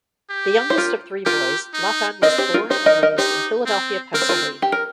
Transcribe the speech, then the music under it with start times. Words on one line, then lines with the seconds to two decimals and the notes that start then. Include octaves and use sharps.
The youngest of three boys, Lathan was born and raised in Philadelphia, Pennsylvania.
0.30 G4
0.70 C5
0.78 F4 A#4
1.26 F4 G4 A#4
1.74 D#4
2.22 C4 A#4 D#5
2.38 G4 C5
2.54 F4 A#4
2.70 D#4 G4 C5
2.86 A#4 D#5
3.03 A#4 D#5
3.18 D#4 G4 C5
3.66 C4
4.14 C4 A#4
4.22 C5
4.29 F4 A#4
4.62 G4
4.72 A#4